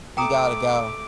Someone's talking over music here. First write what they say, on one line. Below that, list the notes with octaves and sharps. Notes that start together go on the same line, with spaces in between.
You gotta go.
A3 G5 A#5 D6 D#6